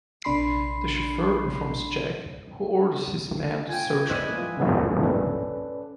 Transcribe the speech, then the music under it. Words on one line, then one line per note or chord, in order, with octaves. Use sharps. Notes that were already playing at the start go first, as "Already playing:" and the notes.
The chauffeur informs Jack, who orders his men to search for them.
A#1 C3 D4 B5 C6 C7
F4 G5 G#5
E4 B4 C5 D5 D#5
F4
C#4 A4 B4 D5